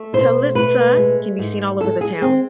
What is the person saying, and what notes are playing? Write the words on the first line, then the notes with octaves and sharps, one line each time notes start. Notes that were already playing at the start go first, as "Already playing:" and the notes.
Ptylitza can be seen all over the town.
Already playing: A3
B2 C5
A3 B4
G#3
G#2
G#3 A4
G#4
G#3 C4